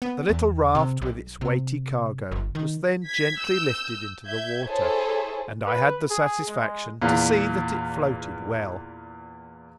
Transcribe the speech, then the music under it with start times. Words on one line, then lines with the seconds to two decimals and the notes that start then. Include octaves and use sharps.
The little raft with its weighty cargo was then gently lifted into the water, and I had the satisfaction to see that it floated well.
0.02 B3
0.30 E2
0.75 C3
1.02 B1
1.41 C3
2.31 G1
2.55 D#3
3.06 G#6 B6
3.40 E6 G6
4.26 E5 G6 G#6
4.66 E4 G#4 A4 C5 C#5
5.66 B4
6.10 G#4
6.48 G#3
7.02 E2 A#2